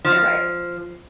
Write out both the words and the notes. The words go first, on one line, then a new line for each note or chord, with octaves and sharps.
you're right.
F3